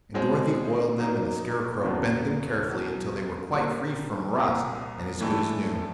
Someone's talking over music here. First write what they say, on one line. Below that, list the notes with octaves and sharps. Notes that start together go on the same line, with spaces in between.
And Dorothy oiled them and the Scarecrow bent them carefully until they were quite free from rust and as good as new.
B2 G#3 C4
F#3 A#3 D#4
E2 C#3 F#3 B3 D4
E2 B2 F#3
A#2 G3 A#3 D4
C2 A#2 F3
A2 E3 A3 D4